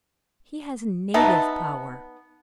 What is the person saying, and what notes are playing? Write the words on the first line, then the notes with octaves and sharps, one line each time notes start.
He has native power.
B3 D#4 E5 A5